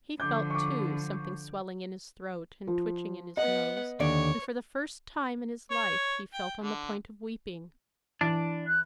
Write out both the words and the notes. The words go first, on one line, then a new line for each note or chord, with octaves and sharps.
He felt, too, something swelling in his throat and twitching in his nose, and for the first time in his life he felt on the point of weeping.
D3 F3 D6 G6
C#6 D6
F3
B3 D#5 F#5
D#2 D3 C#5 D5
C#5
G5
D3
E3 D4
F#6